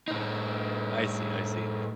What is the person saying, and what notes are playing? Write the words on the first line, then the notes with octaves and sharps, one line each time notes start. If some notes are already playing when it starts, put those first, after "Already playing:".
I see, I see.
A2 D#4